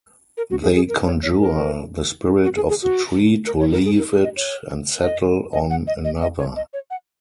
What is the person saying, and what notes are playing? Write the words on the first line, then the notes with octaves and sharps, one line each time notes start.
They conjure the spirit of the tree to leave it and settle on another.
A#4
F#4
G#4
G#4
A#4
C#5
C#5
A#4
F#4
G#4
G#4
F#4
A#4
C#5
A#4
G#4
A#4
G#4
D#5
C#5
D#5
D#5
F#5
D#5
D#5
D#5
C#5
D#5
C#5
F#5